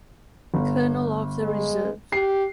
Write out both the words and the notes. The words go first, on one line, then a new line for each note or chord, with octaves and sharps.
Colonel of the Reserve.
G1
G#3
G4 C7